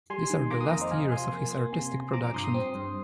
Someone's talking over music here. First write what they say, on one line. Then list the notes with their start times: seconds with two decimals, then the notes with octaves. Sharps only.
These are the last years of his artistic production.
0.10 G3 G#5 C6
0.30 D#3
0.50 A#3 A#5 D6
0.61 C6 D#6
0.71 F2 A#5 D6
0.81 C5 D#5
0.91 C3 F5 G#5
1.12 F3 G#5 C6
1.32 A#3
1.53 A#3
1.73 C3 G#5 C6
1.93 C3
2.13 F3 A#5 D6
2.24 A#5 D6
2.34 G2 C6 D#6
2.44 C6 D#6
2.54 C4
2.75 G2